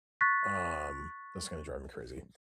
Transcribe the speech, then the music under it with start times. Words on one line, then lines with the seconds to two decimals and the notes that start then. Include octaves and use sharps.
Um, that's gonna drive me crazy.
0.21 C#6 F#6 A6 B6